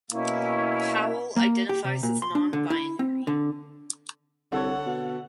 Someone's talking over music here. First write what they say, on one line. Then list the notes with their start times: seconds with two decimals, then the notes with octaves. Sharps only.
Powell identifies as Nonbinary.
0.11 B2 A#3 C#4 E4
1.37 A#3
1.69 G4
1.84 C3
2.03 A#2
2.22 C6
2.35 D4
2.53 D3
2.70 E4
2.99 C4
3.27 D3
4.52 C2 D3 A4 C#5 F#5
4.86 B2